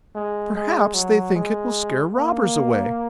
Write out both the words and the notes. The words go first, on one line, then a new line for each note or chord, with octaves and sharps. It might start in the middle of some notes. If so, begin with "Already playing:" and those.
Perhaps they think it will scare robbers away.
G#3
G#3
F#3
G#3
A#3